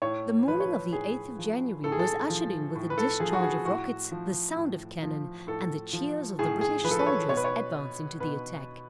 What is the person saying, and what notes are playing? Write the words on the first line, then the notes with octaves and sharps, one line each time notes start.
The morning of the eighth of January, was ushered in with the discharge of rockets, the sound of cannon, and the cheers of the British soldiers advancing to the attack.
A2 C#5
F3 B4
C#5
B4
A2 G#4
F3
A2 A4
G#4
A4
F3
A2
B4
A4
F3 G#4
F#4
G#4
A2 F#4
F3
A2
F3
A2 A4
F3
A2 G#4
G#4
F3 B4
A4
B4
C#5
B2 C#5
B4
C#5
B2 B4